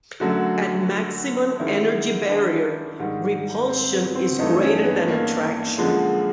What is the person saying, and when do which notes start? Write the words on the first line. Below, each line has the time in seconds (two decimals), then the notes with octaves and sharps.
At maximum energy barrier, repulsion is greater than attraction.
0.20 F#2 D3 F#3 A3 F#4
1.60 F#2 D#3 G#3 E4
2.29 D4
2.99 G#2 D#3 G3
3.69 C4
3.92 B3
4.15 C4
4.39 G2 E3 A3 D#4
4.62 C#4
4.84 B3
5.08 A#3
5.78 F#2 D3 F3 G#3